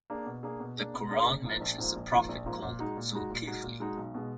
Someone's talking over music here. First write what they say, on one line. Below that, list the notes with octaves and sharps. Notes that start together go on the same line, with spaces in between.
The Qur'an mentions a prophet called Zul-Kifl.
A#3 D4 G#4
B2
A#3 D4 G#4
B2
A#3 D4 G#4
B2
A#3 D4 G#4
A#1
G#2 F3 A#3 F4
A#1
G#2 F3 A#3 F4
A#1
G#2 F3 A#3 F4
A#1
G#2 F3 A#3 F4
A#2
G#3 D#4 F#4
A#2
G#3 D#4 F#4
A#2
G#3 D#4 F#4
A#2
G#3 D#4 F#4
B1
B2 G#3